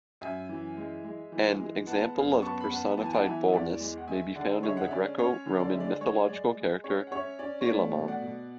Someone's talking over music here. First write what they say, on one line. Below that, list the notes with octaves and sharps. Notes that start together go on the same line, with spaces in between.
An example of personified boldness may be found in the Greco-Roman mythological character Philemon.
F#2 E5 G#5
E3
G#3
G#3
E3
G#3
B3 F#5 A5
F#2
B3 A5 C#6
B5
B3 F#5 A5
E3 A5
G#5
F#5 A5
E3 E5 G#5
E5
E2 D5 F#5
G#3
F#5
G#3 E5 G#5
D3 D5 F#5
G#3 C#5 E5
F#5
E5
C#4 D5
C#4 C#5
D3
D5
G#3 E5
D5
G#3 C#5
G#3 D5
G#3
C#4 C#5
F#5
C#4 C#5 E5
C#4 D5
C#5
A3 D5
B2
D5 F#5
B2